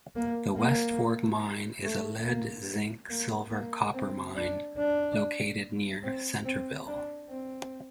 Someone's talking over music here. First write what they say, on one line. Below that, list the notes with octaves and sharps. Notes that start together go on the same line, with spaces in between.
The West Fork Mine is a lead-zinc-silver-copper mine located near Centerville.
A#3
A#3
A3
A#3
A#3
A#3
C4
D4
D4
C4
C4
D4
C4